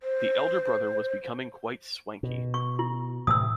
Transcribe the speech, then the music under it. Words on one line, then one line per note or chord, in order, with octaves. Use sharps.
The elder brother was becoming quite swanky.
C5
B2
C#6
E4
A2 C3 E3 D#6 E6